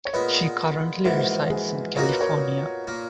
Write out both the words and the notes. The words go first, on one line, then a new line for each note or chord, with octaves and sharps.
She currently resides in California.
C#5
A#2 G#3 B3 B4 D#5
A#1 G#2 E3 F#4 A#4
G#4 B4
A#2 A#3 D#4 F#4 C#5
B4
A#4 C#5
A#2 A#3